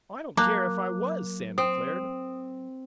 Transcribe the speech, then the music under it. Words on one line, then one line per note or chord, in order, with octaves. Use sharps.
"I don't care if I was," Sam declared.
F#3 A#3 A5 A#5 D6 F#6
C4 D#6